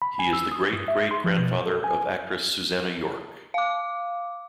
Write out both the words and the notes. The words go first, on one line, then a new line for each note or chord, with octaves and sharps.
He is the great-great grandfather of actress Susannah York.
B5
G#5
E6
D#6
G2
E5
C6
F3
B2
A4
G#5
F5 D6